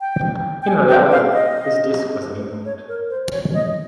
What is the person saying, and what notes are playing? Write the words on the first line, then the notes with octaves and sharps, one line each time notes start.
In reality, this disc was an import.
G5
G5
G#5
G5
F5
D#5
C#5
A#4
C5
C#5
D#5